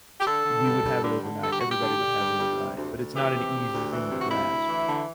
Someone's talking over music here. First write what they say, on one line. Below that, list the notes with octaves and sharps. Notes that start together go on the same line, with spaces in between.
we would have it overnight, everybody would have it overnight, but it's not an easy thing to grasp,
G4
D3 A4
D3
G2
G2
D3
D3
G2 A4
G4
G2 F#4
G4
D3
D3
G2
G2
C3
D2
D2
E3 G4
C3
D2
D2
E3
C3
F#4
D2 E4
D2
E3
D3